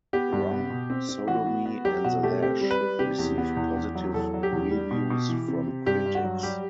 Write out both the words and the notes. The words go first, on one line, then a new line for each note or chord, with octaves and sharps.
"Rum Sodomy and the Lash" received positive reviews from critics.
B3 G4
G2
B3
B2
C4
C4
E3 F#4
B3
B3
F#3 G4
B2 F#4
A3 G4
C4 G4
G3
B4
G3
C3 G4
E2
B3
E2
E2
F#3
E2 A4
F#3
G4
E2
G3
B2
B2
E3
C3
C3
G2 G4
G2
F#4
F#3
G3 G4